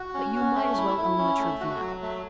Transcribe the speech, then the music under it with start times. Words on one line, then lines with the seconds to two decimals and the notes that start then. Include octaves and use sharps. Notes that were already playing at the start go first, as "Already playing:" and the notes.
But you might as well own the truth now.
Already playing: F#4
0.14 C#4
0.35 C#4
0.56 A3
0.77 E4
0.98 E4
1.18 C#4
1.39 A3
1.60 F#4
1.81 F#3
2.02 A3